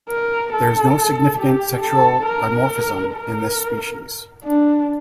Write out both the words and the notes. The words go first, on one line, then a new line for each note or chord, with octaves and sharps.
There is no significant sexual dimorphism in this species.
A#4
A4
G4
A4
A#4
A#4
D4